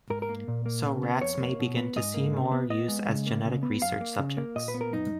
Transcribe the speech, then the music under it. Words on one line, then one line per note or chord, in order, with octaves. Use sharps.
So rats may begin to see more use as genetic research subjects.
G#2 A#4
A#4
A#3
A#2
A#3
C#3
B3
F2 C#5
A#3
B2
B3
G#2 D#5
A#3
C#3
B3
B3 D#5
G#3
C#3
A#3
C#3
B3
F#2 F5
A#3
C#3
A#3
A#2 D#5
B4
B3
A#4
F#2 D#4